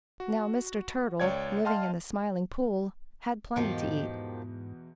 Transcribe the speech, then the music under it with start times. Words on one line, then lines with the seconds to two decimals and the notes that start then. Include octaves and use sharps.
Now Mr. Turtle, living in the Smiling Pool, had plenty to eat.
0.20 F#4
1.20 C#2 C#5 D5 G5 G#6
1.65 D#5 F5 G5 A5 C6 F6
3.56 E2 G#2 B2 D#3 F3 G4